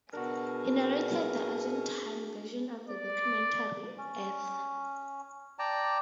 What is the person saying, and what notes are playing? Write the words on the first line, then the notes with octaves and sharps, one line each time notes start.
He narrated the Argentine version of the documentary "Earth".
B2 D4 F#4 G#4 A#4
D5
C#4
D5 G5 A5 A#5